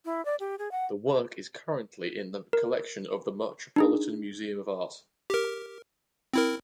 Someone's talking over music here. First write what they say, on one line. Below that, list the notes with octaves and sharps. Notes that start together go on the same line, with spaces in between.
The work is currently in the collection of the Metropolitan Museum of Art.
E4
D5
G4
G#4
F#5
A#4
D4 D#4 G#4
G4 A#4
C4 E4 A#4